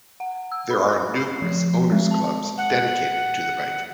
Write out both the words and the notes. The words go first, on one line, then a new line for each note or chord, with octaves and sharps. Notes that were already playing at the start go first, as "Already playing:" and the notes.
There are numerous owners clubs dedicated to the bike.
F#5
E6
B5
F#6
C7
F3
G#3
A5
F#5